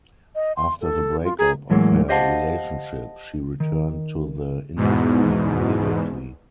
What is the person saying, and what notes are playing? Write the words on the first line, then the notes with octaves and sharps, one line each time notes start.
After the breakup of her relationship she returned to the industry immediately.
D#5
C6
A4
F4
G#4 A#5
A2 E3 F#3 G#3 A#3
G4 C5 D#5 F5 F#5 A5
D#3
E2 G#2 B2